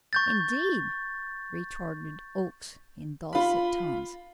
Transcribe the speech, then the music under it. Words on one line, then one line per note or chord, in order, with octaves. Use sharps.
"Indeed!" retorted Oakes in dulcet tones.
C#6 G6 A6
F4 B5